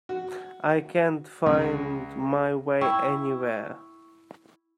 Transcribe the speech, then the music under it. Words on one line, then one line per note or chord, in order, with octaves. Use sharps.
I can't find my way anywhere!
F#4
C#2
E4 G5 C#6